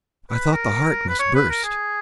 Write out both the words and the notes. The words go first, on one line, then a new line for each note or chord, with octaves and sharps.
I thought the heart must burst.
B4
A#4
B4
C#5
B4
A#4
G#4